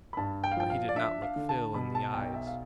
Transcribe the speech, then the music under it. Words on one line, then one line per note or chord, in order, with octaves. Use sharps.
But he did not look Phil in the eyes.
B5
G2 A5
G5
F5
F3 G5
F5
D5
D4 E5
F5
D3
A5
B2 B5
A5
B1 G5
E5
F5